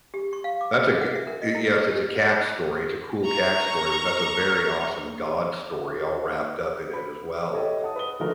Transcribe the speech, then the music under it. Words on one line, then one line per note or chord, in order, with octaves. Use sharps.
that's a goo uh, yes, it's a cat story, it's a cool cat story, but that's a very awesome God story all wrapped up in it as well,
G4
C#6
F5
D6
F#4
F#5
E5
A#4
D#5
E4
D#5
G4
A#5 C#6
B5
E4 G4 A4 C#5 D#5
F#5 A5 D#6
B4 D#6 G7
D3 F3 A3 D#4 F#4 A#4